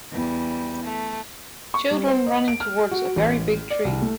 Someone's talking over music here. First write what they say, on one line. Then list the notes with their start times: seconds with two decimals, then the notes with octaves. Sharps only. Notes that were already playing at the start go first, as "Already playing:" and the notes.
Children running towards a very big tree.
0.12 E2 G3
0.83 A3
1.74 C#6
1.91 G3
2.07 C5
2.26 D#5
2.48 D7
2.60 F6
2.91 F#4
3.16 A1
3.70 D5
3.85 C2
4.02 A3